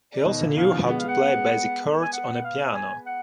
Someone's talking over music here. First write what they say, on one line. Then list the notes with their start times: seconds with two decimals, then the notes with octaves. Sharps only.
He also knew how to play basic chords on a piano.
0.13 D5
0.25 B2 D#3 D#5
0.41 A#2 D3
0.56 B2 D#3 F5
0.72 D3 F3
0.87 G#3 B3 F#5
0.98 F5
1.08 F#5
2.02 G#5
2.13 F#5
2.34 F#5
2.44 F5
2.75 G#5
3.06 F#5